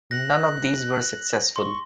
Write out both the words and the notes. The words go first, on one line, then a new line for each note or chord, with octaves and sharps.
None of these were successful.
F#6 A#6
C6 C#6